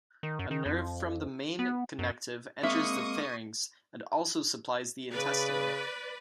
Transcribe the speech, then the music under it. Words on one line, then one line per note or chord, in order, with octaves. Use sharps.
A nerve from the main connective enters the pharynx and also supplies the intestine.
D#3
F#2
D#3
F2
B3
F#2
G#3 A#3 C4 E5 C#6 D#6
C#3 B4 D5